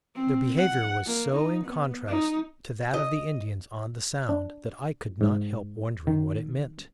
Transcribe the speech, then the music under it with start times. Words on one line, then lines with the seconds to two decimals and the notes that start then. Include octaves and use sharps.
Their behavior was so in contrast to that of the Indians on the Sound that I could not help wondering what it meant.
0.15 C4
0.57 F#5
1.06 A#3
1.35 D#4
1.64 B3
2.08 D#4
2.94 D#5
4.29 D4
5.21 G#2
6.07 D#3